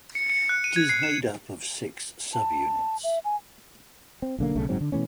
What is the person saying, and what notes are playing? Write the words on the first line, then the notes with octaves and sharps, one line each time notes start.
It is made up of six subunits.
C#7
C#7
F#6
D#7
G#6
C7
E7
A5
E5
G#5
C4
B1 D3 A#3
B1 C#3 A3
F#1 G#2 F#3 C4
D3
B2 E3 A3 C#4